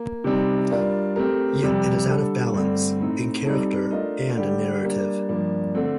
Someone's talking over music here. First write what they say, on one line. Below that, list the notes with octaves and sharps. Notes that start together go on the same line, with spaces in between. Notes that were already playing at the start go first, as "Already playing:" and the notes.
Yet it is out of balance, in character and in narrative.
Already playing: A#3
C3 G3 C4 D#4
G3 D4 F4 A#4 D5
A3 C4 G4 A#4
F2 C3 G3 C4
D3 G3 D4 A4
G2 D3 A3 C4
A2 A3 C4 D#4
G3 C4 D#4 A4
A3 D4 F4 A#4 D#5
D3 G3 D4 G4
G3 A#3 D4
G2 F3 A#3 D4
D3 A3 C4